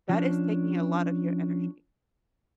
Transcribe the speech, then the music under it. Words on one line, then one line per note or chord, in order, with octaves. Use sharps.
that is taking a lot of your energy.
F3 C#4 D4